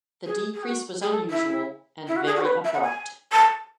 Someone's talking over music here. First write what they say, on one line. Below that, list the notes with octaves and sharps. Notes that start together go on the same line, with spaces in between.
The decrease was unusual and very abrupt.
G#4
G#4
F#4
G#4
A4
E4
E4
F#4
G#4
F#4
C#5
B4
E5
F#5
G#5
A5